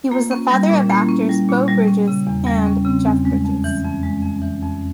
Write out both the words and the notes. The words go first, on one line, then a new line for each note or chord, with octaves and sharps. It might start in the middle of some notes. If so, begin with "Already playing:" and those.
He was the father of actors Beau Bridges and Jeff Bridges.
A#3 F4
C#4
G3
A#2
C#4
A#3 E4
C#4
G3
A#2
G3
C#4
C#3
E2
G3 C#4
C#4
C#3 C4
E2
G#3 C#4
F2
E3
F2
G#3
F2
E3
F2